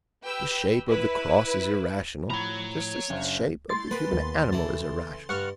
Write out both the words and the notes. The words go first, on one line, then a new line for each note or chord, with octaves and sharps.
The shape of the cross is irrational, just as the shape of the human animal is irrational.
G4 B4 G5 E6
E4 B4
A2 F3 C#5 A#5 B5
F#1 D4 C5
A3 E4 C6 A6
B3 G#4 A#4 B4
D#2
C#3 E3 A4
G2 F#5 C#6 F6